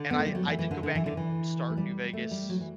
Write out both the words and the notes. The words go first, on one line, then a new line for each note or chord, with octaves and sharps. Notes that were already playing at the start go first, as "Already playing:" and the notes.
and I I did go back and start New Vegas,
Already playing: D3
B3
A3
G3
F#3
E3
E3
D3
D3
E3
D3
E3
A3
G3
A3
G3
F#3
E3